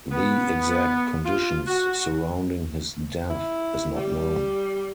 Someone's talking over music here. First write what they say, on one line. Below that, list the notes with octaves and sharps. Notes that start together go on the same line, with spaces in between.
The exact conditions surrounding his death is not known.
B3
F4
F#4
E4
G3